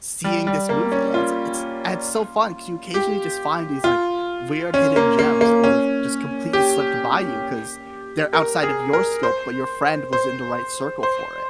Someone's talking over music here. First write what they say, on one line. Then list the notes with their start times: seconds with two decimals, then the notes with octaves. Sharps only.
seeing this movie, and it's it's it's so fun 'cause you occasionally just find these, like, weird hidden gems that would've just completely slipped by you 'cause they're outside of your scope, but your friend was in the right circle for it.
0.24 G3
0.47 G3
0.69 A#3
0.92 C#4
1.14 F4
2.94 G4
3.84 F4
4.74 C#4
4.96 A#3
5.19 A#3
5.41 A#3
5.64 C#4
6.53 G4
8.33 A#4
8.63 G#4
8.93 A#4
9.23 C5
10.13 C5
11.03 C5